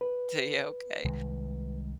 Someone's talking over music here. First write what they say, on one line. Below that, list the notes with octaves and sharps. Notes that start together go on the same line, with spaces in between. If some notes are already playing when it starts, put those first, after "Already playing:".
Tuh yeah, okay.
B4
C2 D#3 G#3